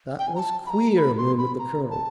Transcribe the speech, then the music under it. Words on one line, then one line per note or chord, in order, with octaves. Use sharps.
"That was queer," murmured the colonel.
G5
G#5
A#5
A5
B5
A#5
B5
C6
B5
A#5
A5